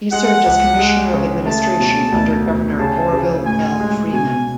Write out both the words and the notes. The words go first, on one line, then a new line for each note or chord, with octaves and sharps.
He served as commissioner of administration under Governor Orville L. Freeman.
G#3 F#5
C#2
G#3
C#3
A3 A5
B2
D2
D2
C#3 A5
C#3
A2 G#5
G#3
B2 G#5